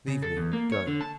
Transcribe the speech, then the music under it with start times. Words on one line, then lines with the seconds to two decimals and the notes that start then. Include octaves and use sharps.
"Leave me--go!"
0.08 C#3
0.22 A4
0.37 E2
0.53 A#3
0.72 C#5
0.87 D3
1.01 A5